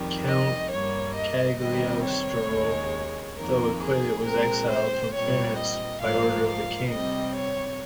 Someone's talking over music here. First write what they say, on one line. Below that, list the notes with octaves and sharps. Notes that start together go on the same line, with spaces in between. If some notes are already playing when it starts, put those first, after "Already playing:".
Count Cagliostro, though acquitted, was exiled from France by order of the King.
Already playing: F2 D#3 G3
D#5
G2 G3 A#3 C#5
D#5
C3 D#3 G3 C4 D#5
C#5
D#2 C#3 G#3
F2 D#3 A#3 A#4
G#4
A#2 G#3 C4 A#4
C5
A#2 G3 C4 C#5
D#5
G#2 F3 A#3 F5
F5
C3 G3 C4 D#5
C#5